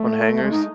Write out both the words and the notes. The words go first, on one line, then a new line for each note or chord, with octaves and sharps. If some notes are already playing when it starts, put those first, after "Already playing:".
On hangers?
Already playing: A3
G#3
D#4